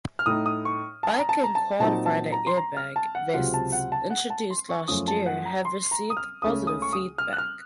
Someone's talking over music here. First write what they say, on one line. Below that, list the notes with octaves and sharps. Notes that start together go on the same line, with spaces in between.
Bike and quad rider airbag vests introduced last year have received positive feedback.
F6
A2 A3 D#4 D#6
D#6
C#6
A5
A#5
A5
A#5
A5
A#2 F#3 C4 D#4 A5
A5
A#5
C6
A#5
F6
A5
F#5
C#2 C3 F#3 C4 F4 F#5
A5
F#5
A5
F#5
A5
C6
C#6
F#2 F3 A3 C#4 F4 D#6
A5
F#5
A#5
C6
A#5
D#6
F6
C#2 C#3 A3 C#4 D#6
D#6
C#6
D#6
F6
F#6
F6